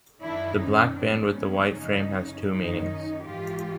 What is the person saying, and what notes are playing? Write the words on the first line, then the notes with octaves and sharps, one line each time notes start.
The black band with the white frame has two meanings.
F#2 D#3 D4 E4
C#4 D#4
G#2 F3 C4 D4
B3 C#4
F#2 C#3 E3 C#4 D#4
F#2 D#3 C#4 D#4
G#2 E3 F4 G4